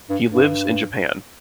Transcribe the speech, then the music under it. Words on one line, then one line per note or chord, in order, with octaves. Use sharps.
He lives in Japan.
G2
G2